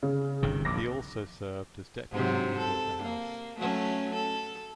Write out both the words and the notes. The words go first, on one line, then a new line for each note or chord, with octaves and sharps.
He also served as deputy Leader of the House.
C#3
G1 C3 D#3
A#1 E2 D6 A#6
G#2 C3 F#3
A4
A#3
F#3 A3 C#4
A4